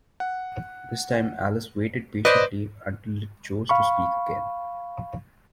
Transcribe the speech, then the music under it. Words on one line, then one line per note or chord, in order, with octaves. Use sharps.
This time Alice waited patiently until it chose to speak again.
F#5
B4 C5 D5 D#5 D#6
F5 B5 C#6